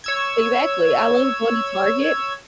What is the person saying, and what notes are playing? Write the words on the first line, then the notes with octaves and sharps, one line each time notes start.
Exactly. I love going to Target.
C#5 E6 G#6